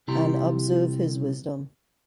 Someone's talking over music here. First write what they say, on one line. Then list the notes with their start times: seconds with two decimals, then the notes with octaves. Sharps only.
And observe his wisdom.
0.08 C3 G3 E4 G4 A#5 C6